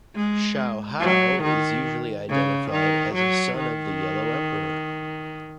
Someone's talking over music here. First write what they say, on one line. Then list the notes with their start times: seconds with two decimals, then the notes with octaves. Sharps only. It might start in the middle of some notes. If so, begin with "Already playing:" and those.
Shaohao is usually identified as a son of the Yellow Emperor.
0.15 G#3
1.00 F#3
1.43 D#3
2.29 C#3
2.71 D#3
3.15 F#3
3.58 D#3